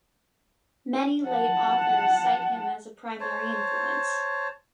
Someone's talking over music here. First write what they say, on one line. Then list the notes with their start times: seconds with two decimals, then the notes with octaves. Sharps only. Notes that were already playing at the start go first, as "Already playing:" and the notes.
Many later authors cite him as a primary influence.
1.27 F#5 A5
3.20 C5 C#5 A5